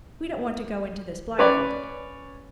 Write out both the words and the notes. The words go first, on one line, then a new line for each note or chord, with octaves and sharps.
"We don't want to go into this blindfolded."
C#4 B4 C#5 D5